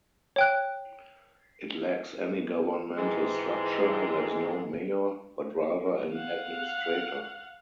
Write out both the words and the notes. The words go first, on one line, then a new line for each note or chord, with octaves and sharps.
It lacks any governmental structure; there is no mayor but rather an "administrator".
C#5 G5 F#6
G#2 C3 E3 G#3
F5 F#5